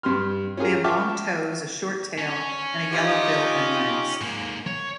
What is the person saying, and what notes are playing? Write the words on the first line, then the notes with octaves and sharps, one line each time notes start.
They have long toes, a short tail and a yellow bill and legs.
G2 G3 C6 F6
C#4 F4 G4 G#4 A#4
E5 G5 A5 C#6 D6 F6
C#4
D#4 F4 G4
G#2 A#3
C#5